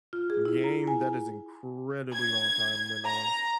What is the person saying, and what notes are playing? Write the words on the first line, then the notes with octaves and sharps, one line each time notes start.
game, that is incredibly long time when, um,
F4
G#4
E4
A#5
G#5
G#5
G#6
A#5